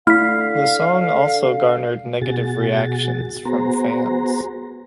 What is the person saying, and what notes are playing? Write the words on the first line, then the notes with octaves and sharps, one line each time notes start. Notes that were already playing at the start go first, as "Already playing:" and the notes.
The song also garnered negative reactions from fans.
D3 A3 E4 F5 F6 B6
B2 F#4 G#4 A6
B3 F#4 G#4 C5 A#5